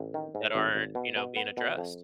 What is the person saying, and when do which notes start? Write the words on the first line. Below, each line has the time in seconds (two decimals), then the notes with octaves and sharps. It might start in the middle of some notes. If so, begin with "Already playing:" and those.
that aren't, you know, being addressed.
Already playing: A1
0.14 D#3
0.35 G#2
0.55 G#1
0.75 G#1
0.95 B2
1.16 B2
1.36 B3
1.57 B2
1.77 F2